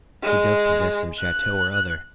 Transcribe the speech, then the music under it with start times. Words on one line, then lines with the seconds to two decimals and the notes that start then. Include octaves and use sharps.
He does possess some chateau or other.
0.23 G#3
1.19 F#6